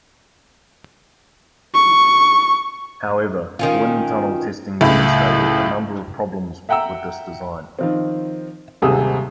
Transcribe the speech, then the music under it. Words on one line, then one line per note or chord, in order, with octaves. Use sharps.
However, wind tunnel testing demonstrated a number of problems with this design.
C#6
D#3 C#4 F4
C#2 A2
E5 F#5 G5 A#5 E6
D#3 F3 C4
D#1 G#1 C3 G#4 D#6 E6